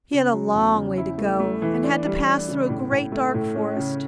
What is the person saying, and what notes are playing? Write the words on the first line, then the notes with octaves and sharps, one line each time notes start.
He had a long way to go, and had to pass through a great dark forest.
C#3
F#3
E2
C#3
E4
A3
A3
E3
D4
G3
D4
C#3
A2
A2
A3
A2
C#4
C#3